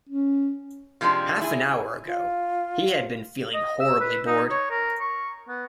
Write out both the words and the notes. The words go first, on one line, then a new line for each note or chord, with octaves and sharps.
Half an hour ago he had been feeling horribly bored.
C#4
C3 F3 G#3 A3 D4 F4
E4 G#4
F4
D#5
E6
B4
D#4
C#5
A#4
C#6
B3